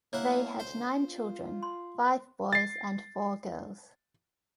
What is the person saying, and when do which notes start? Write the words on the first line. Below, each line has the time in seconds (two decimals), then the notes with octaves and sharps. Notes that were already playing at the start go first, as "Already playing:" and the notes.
They had nine children: five boys and four girls.
0.13 G2 A#3 E4 C#5 F#5
0.60 D2 C5
1.03 F4
1.63 C6
2.53 A6 C7